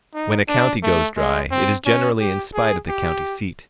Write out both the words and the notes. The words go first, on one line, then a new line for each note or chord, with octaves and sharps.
When a county goes dry, it is generally in spite of the county-seat.
D#4
D4
A3
G#3
C4
C#4
G4
G#4
G4